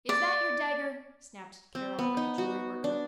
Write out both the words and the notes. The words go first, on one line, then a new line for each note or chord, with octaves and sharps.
"Is that your dagger?" snapped Carroll at the jewelry worker.
D5
C4
B3
D#4
F#4
D4